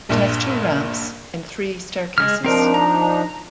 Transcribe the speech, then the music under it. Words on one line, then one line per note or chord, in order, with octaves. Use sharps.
It has two ramps and three staircases.
A#1 G2 A#2
G#3 F6
F3 C4 D4 D#4 A#4
A#5